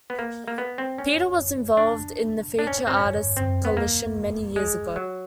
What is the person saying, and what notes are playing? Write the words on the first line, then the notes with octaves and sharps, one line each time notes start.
Peter was involved in the Featured Artists Coalition many years ago.
B3
A#3
A#3
B3
C4
C#4
D4
D4
C#4
C4
C#4
C4
B3
A#3
G#3
F#3